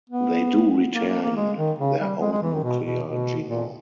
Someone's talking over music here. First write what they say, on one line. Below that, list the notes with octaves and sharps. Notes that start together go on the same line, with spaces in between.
They do retain their own nuclear genome.
B3
A#3
A#3
A#3
G#3
D#3
C#3
G3
G#3
G#3
E3
D#3
B2
B2
B2
A#2